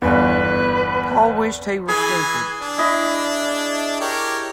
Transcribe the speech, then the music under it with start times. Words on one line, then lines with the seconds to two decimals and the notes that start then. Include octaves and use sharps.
Paul wished he were stupid.
0.02 G1 E2 B4
1.88 E3 G#4 G#5 B5
2.62 D4
2.78 E4 D#5
4.01 G4 A#4 C#5